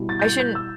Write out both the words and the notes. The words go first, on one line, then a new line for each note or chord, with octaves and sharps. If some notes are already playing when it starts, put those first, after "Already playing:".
I shouldn't
Already playing: B2 G3 E4
A6
G6
A6
G6
E6